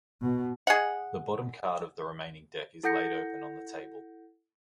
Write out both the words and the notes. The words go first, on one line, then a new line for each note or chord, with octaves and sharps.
The bottom card of the remaining deck is laid open on the table.
B2
G#4 D#5 F#5
E4 A4 F#5 G6 A#6 C#7